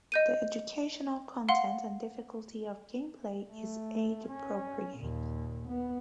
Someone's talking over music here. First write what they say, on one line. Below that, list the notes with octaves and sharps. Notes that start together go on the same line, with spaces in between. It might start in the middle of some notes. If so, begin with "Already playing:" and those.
The educational content and difficulty of gameplay is age appropriate.
D#5 G6 D#7
F5 F#5 C6
A3
C#4
D#2 A#2
B3